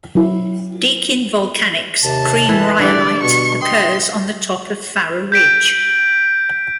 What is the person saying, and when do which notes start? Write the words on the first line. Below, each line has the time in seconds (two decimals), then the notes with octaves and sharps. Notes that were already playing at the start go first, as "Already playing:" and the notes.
Deakin Volcanics cream rhyolite occurs on the top of Farrer Ridge.
0.15 F#3 E4
2.04 D#2 C3 A5
2.49 E2 E3 A3 B4
2.79 D3 G3 D5
3.23 B2 C#6
3.62 D#5 G5 C6 D#6
5.32 G6 B6 D7